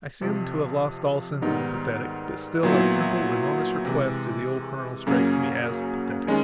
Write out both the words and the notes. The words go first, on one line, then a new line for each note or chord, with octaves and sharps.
I seem to have lost all sense of the pathetic; but still, that simple, enormous request of the old colonel strikes me as pathetic.
F2 C3 F3
G#2 D#3 G3 B3 D#4
A#2 F#3 B3 E4
C3 E3 G#3
F#2 C#3 F#3 A#3 C#4
D#3 G#3 C#4